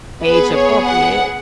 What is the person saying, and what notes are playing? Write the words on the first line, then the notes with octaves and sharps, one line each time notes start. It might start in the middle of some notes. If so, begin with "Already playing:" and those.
age appropriate."
B3 B4
G#4
C#5
F#5